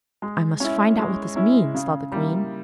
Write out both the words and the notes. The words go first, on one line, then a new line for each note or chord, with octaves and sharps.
'I must find out what this means,' thought the queen.
G#3
C#4 E4
G#3
C#4 E4
C#3
G3 A#3 E4